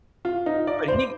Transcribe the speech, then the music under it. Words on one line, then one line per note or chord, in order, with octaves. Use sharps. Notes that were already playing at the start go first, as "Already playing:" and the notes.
But he
F4
D#4
D5
C5